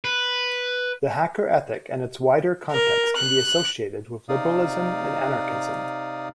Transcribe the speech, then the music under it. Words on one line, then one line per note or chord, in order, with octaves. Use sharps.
The hacker ethic and its wider context can be associated with liberalism and anarchism.
B4
A#4
F#6
C3 D#4 D5 F5 D#6